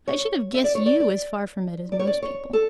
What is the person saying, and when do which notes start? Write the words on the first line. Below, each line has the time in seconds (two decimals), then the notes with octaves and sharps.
I should have guessed you as far from it as most people.
0.08 C#5
0.54 E5
0.64 D5
0.75 C#5
0.86 D5
1.00 D5
1.92 D5
1.99 C#5
2.07 D5
2.22 C#5
2.53 A4